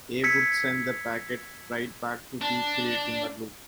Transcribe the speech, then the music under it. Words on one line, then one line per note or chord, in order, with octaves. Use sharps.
"A" would send the packet right back to "B", creating a loop.
E6 G#6 B6 C#7
D4